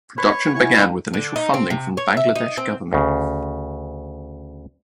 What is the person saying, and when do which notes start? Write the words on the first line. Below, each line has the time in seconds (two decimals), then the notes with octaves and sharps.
Production began with initial funding from the Bangladesh Government.
0.18 B4 C#5
0.54 E4 C#5 F#5 G#5
1.14 D3
1.36 D#4
1.54 C4
1.70 C3
1.97 C#5
2.17 E5
2.36 D#4
2.57 C4
2.93 D2 C#3